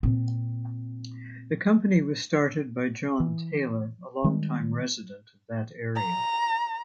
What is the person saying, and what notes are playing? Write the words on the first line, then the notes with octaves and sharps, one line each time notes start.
This company was started by John Taylor, a long-time resident of that area.
A#2 C4
E3
D#3 G3 G#3
A#5